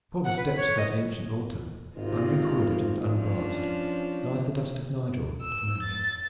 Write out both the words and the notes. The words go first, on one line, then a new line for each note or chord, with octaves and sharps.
Before the steps of that ancient altar, unrecorded and unbrassed, lies the dust of Nigel and of Mary.
F#5
B4
C#5
D#5
G#1 G#2 C3 F4
F3 C#4 D4
E6
A6